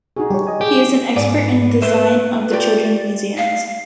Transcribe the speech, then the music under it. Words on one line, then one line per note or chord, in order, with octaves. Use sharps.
He is an expert in the design of children’s museums.
D#4 F#4 G#4
G3 G4 C#5
D#5 G#5
G4 G#4
G#2 B3 D5
B4 E5 C6
F4 G4 D5
F5